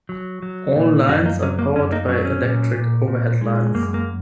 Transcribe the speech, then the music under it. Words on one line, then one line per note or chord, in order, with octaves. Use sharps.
All lines are powered by electric overhead lines.
F#3
F#3
A#2
F#2 C#4 F#4
A#3 D#4
F#3 C#4
A#3
F#2 C#4
A#3 D#4
F#3 C#4
C#4
A#2
A#2
A#2
G#3
F#2 A#3
A#3